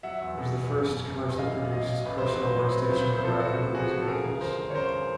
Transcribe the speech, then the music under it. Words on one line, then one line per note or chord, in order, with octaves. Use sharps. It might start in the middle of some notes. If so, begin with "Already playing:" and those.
It was the first commercially produced personal workstation with a Graphical User Interface.
F#3 E5 F#5
E2
B2
E2
F#1
B2
F#1
E2
F#3 D#5 F5
A1
A1 D#5 F5
A2
A1 B4
C5
F#3
B4
A1 C5
F#3 B4
C5
C3 B4
C#2 C5
B4
C3
C5
F3 A4 B4
C3 F#4
C#2
F3 F#4 G#4
F3
A4
C#3 G#4 A#4
G1
G1 A#4 C5
G1
C#5
C#3 A#4 C5
G1